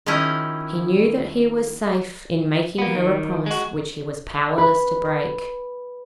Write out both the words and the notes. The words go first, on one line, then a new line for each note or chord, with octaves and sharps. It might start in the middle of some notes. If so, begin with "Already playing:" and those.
He knew that he was safe in making her a promise which he was powerless to break.
D#3 F3 C#4 E4 D#5
A#3 B3
D#3
G#3 F#4
B4